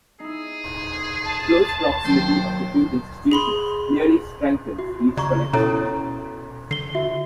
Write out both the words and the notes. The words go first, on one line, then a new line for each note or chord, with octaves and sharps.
Close proximity of the two institutions clearly strengthens each collection.
D#4 E4 G#4
A5
D#2 F#3 C5 G5
G#4 B5 C6
F#4
C#3 D5 A#5 C#6
B2 C#4 E4 A4 C#5 A#5 D#6
D3 C7 G7
F#4 E5